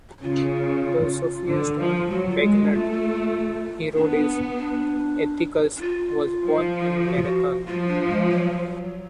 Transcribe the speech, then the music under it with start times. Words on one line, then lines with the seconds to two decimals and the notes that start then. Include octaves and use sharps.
The sophist and magnate Herodes Atticus was born in Marathon.
0.22 C#3 F4
1.46 D3
1.78 F3
2.09 F#3 F#4
2.29 F4
2.39 G#3
2.51 F#4
2.62 D4
2.71 A3 F4
2.92 F4
3.13 F4
3.95 B3 D4
4.57 D4
5.77 D4
5.81 F4
6.43 F3
7.06 F#4
7.14 F4
7.23 F#4
7.68 F3 F4
7.88 D4
8.08 G#3
8.30 F#3